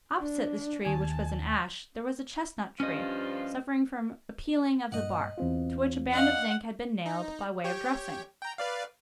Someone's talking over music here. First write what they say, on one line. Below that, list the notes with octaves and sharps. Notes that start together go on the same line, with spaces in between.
Opposite this tree, which was an ash, there was a chestnut-tree, suffering from a peeling of the bark, to which a band of zinc had been nailed by way of dressing.
D4
D#2 G#5 A5
G2 F3 C#4 F4 D#5
G2 A#2 D#5 F#5
E2 C4 F4
D4 D#5 F5 F#5
D#4
G4 C#5 G5
G5 A#5
B4 D5 F5